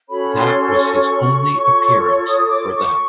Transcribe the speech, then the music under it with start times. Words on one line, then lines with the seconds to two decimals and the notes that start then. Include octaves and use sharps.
That was his only appearance for them.
0.08 C#4 F#4 A4 C#5 B5
0.33 C6
0.56 C6
0.81 C#6
1.53 F4 A4 C#5
2.25 D#6
2.50 D6
2.74 C#6